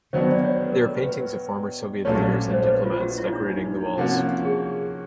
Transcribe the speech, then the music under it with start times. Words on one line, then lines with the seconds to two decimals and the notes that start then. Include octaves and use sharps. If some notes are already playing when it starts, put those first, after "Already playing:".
There are paintings of former Soviet leaders and diplomats decorating the walls.
0.13 D#3 F#3 B3 D4 C5
0.28 D5
0.44 C#5
0.61 B4
0.72 A#4
0.85 A#4
0.97 B4
1.09 B4
2.05 A#1 A#2 F#3 A3 C#4 C#5
2.53 C5
2.69 B4
2.85 F4
3.01 F#4
3.17 E4
3.33 D4
3.49 D#4
3.65 D#4
3.81 D#4
3.97 C3 F3 A#3 C#4 F#4
4.45 G#4